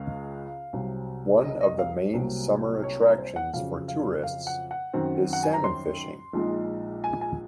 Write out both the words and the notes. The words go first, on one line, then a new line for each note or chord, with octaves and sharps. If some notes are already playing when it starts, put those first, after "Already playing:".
One of the main summer attractions for tourists is salmon fishing.
Already playing: C#2 C#3 G#3 F5
C2 C3 F#3
D#5
D#5
F5
C2 C3 F#3 A#3
C#5
A#4
C5
F#5
F2 C#3 F#3 F5
F5
F5
F#5
F#5
F#2 D#3 F#3 C4
F#5
G#5
A#5
C6
A#1 A#2 G#3 D#4
G#5
G#5